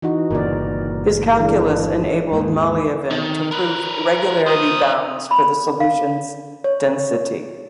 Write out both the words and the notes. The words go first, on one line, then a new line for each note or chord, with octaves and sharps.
His calculus enabled Malliavin to prove regularity bounds for the solution's density.
E3 D#4 F#4
G1 A#2 C#3 A#4 D5
E3 G#3 D4
D#2 G#2
D#3
A#4 B4
A#4 C5 D#6
B5
F5
C#5